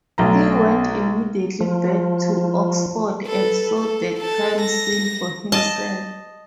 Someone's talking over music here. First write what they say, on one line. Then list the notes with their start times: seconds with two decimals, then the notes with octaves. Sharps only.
He went immediately back to Oxford and saw the crime scene for himself.
0.18 B1 A3 A#5
1.61 F3
3.26 A4 B4
3.78 A4
4.20 A4 A5
4.61 A#6
5.52 D#5 A5